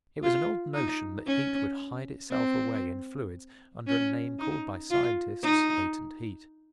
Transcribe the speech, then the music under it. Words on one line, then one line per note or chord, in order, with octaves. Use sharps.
It was an old notion that heat would hide itself away in fluids under a name called by scientists latent heat.
F4
D#4
C#4
C4
C#4
D#4
F4
D#4